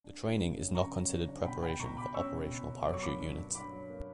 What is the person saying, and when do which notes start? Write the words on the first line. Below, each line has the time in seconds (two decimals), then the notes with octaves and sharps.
The training is not considered preparation for operational parachute units.
0.04 D4
0.22 D4
0.40 C#3
0.57 F#3
0.74 C#3 A#5 C#6
0.93 F#3
1.10 C#3
1.27 D4
1.44 B2 G5 B5
1.62 B2 G5 B5
1.79 B2 A#5 C#6
1.97 B2 B5 D6
2.14 C#4 C#6 E6
2.32 B2
2.50 B2
2.68 B2
2.84 F#3 D6
2.94 C#6
3.02 A#3 B5 D6
3.19 D4
3.37 G2
3.55 G2 B5 D6
3.72 F#3
3.90 A#3